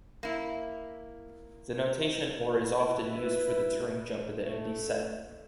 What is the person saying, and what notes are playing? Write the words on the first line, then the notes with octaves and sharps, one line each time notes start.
The notation or is often used for the Turing jump of the empty set.
A#3 E4
E4 B4
A3